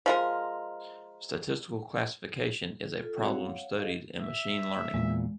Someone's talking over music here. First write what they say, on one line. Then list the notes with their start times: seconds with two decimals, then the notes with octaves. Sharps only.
Statistical classification is a problem studied in machine learning.
0.06 F3 G#3 A#4
3.00 F4 A4
3.17 G3 C4 E4 F#4 G#4
3.30 C#5 F5 F#5
3.77 G#4 A4 D#5 F5
4.21 E5
4.94 E2 A#2 G#3